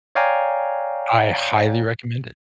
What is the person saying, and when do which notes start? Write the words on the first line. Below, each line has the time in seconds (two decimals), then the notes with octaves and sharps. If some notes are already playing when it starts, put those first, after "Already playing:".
I highly recommend it
0.15 C#5 D5 F5 G5 G#5 A#5